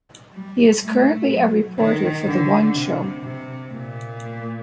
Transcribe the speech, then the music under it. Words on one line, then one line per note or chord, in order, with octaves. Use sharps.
He is currently a reporter for "The One Show".
G3
A3
F#3
D#3
D3
C3
C3
A#2